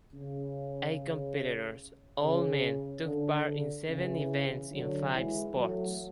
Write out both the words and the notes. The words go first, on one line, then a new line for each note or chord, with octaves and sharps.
Eight competitors, all men, took part in seven events in five sports.
C#3
C#3
D3
C#3 E3
D3 F#3
E3 G#3
F#3 A3